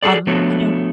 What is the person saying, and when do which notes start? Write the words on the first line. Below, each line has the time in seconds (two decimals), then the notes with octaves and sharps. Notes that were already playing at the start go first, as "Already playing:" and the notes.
Um, you know
0.03 F#4 G#4 A4 D5
0.27 F3 A3 B3 D4 F#4 C#5